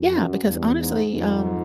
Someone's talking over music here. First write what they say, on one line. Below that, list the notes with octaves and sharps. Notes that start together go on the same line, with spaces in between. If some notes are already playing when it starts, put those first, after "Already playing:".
Yeah, because, honestly, um,
Already playing: F2
F#2
E2 G2
G#2
F2 G#2